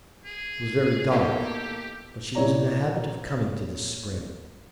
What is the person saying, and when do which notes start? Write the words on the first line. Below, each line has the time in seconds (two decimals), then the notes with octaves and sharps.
It was very dark, but she was in the habit of coming to this spring.
0.25 G#4
1.11 A2 A#3 B3 D#4 E4 F#4 G4 A4
2.35 A#2 E4 C#5 D5 A#5